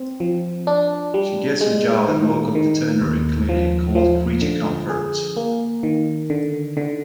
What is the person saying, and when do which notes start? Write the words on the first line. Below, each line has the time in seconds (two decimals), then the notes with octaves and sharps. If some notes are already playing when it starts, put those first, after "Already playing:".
She gets a job at a local veterinary clinic called Creature Comforts.
Already playing: C4
0.20 F3
0.67 D4
1.14 G3
1.61 G#3
2.08 D#3
2.55 D#3
3.02 D#2
3.49 F3
3.95 F3
4.42 D3
4.90 G#4
5.37 A#3
5.83 D#3
6.30 D3
6.77 D3